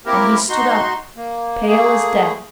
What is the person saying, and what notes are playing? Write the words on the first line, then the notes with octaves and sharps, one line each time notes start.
And he stood up, pale as death.
A#3 C4 E4 G4 A#4
D#4 F#4 C6
A#3
A3 A#3 G#4